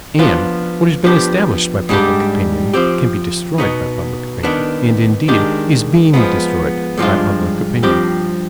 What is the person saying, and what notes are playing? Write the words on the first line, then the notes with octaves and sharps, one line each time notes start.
And what has been established by public opinion can be destroyed by public opinion--and, indeed, is being destroyed by public opinion.
F3 B3 D4 F4
F3 B3 D4 G4
G#2 G3 D4 G4
F3 C4 G4
B2 B3 D#4
D#3 B3 D4
D#3 G#3 D4 G4
F3 G#3 B3
G2 F3 G#3 D4 F4
G2 F3 C4 G4